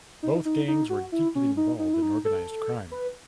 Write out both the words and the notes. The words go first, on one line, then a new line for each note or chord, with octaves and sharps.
Both gangs were deeply involved in organized crime.
D#4
D#4
D#4
F#4
E4
C#4
D#4
D#4
E4
D#4
A4
B4